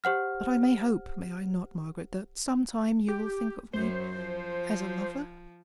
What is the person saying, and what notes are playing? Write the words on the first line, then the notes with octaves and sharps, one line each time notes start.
'But I may hope, may I not, Margaret, that some time you will think of me as a lover?
G4 C5 F#5 F6
G4
F#2 F#3 C5
F3